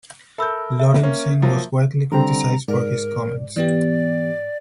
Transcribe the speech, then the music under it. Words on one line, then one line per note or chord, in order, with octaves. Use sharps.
Lorentzen was widely criticized for his comments.
A4 A#4 E5 B5 E6 G6
E5
A#3 C#4 A#4
F3 F#3 A#3
D3 G3 C4 A#5
G#2 A#4 D5
E3 B3 G4 D5